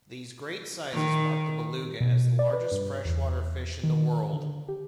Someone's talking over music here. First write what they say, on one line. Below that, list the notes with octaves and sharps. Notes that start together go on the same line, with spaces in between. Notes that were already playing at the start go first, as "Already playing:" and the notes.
These great sizes mark the beluga as the largest freshwater fish in the world.
D#3
B2
D5
B4
G2
E2
D#3
D3
G4